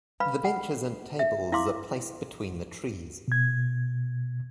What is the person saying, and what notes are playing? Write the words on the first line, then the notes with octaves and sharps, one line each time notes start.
The benches and tables are placed between the trees.
B4 F5 B5
F#5
E5
E4 F5 C6 D6
B2 G#6